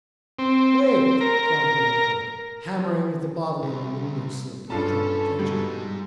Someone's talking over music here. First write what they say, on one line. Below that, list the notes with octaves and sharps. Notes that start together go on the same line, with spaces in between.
"Wait!" cried Dolokhov, hammering with the bottle on the window sill to attract attention.
C4
C4
A#4
C2
G2 C#4 F4 A4 A5
B2 G3 G#3 D#4